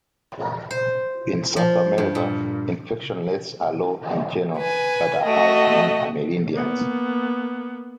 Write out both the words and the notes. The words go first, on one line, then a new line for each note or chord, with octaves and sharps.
In South America, infection rates are low in general but are high among Amerindians.
C5
F3
G2
A#2
B4 G#5
A3 F#4 D#5
A#3 B3